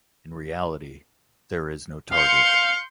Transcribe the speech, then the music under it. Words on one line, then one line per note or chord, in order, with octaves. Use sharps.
In reality, there is no target.
F5 C6 G6 C#7